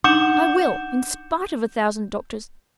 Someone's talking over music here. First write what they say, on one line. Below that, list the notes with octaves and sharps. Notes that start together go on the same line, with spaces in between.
I will, in spite of a thousand doctors.
D4 D#4 F#5 D6 G6 E7